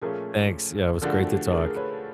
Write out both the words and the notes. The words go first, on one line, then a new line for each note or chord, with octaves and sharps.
thanks. Yeah, it was great to talk.
A#2 F3 A3 C#4 G#4 A#4
D3 F3 A3 D4 F#4 G#4 A#4
G4 A4
G#4 A#4
G#4 A#4
B4 C#5